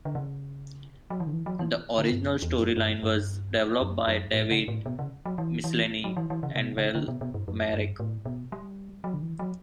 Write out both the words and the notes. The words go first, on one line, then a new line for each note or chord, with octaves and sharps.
The original storyline was developed by David Michelinie and Val Mayerik.
D3
C#3
F#3
E3
D3
E3
F#3
E3
D3
G2
F#2
E2
F#2
G2
G2
F#2
F#2
A2
C#3
A2
B2
C#3
F#3
E3
E3
F#3
E3
E3
C#3
C#3
B2
C#3
D3
B2
B2
G2
F#2
G2
A2
B2
G3
F#3
D3
E3
F#3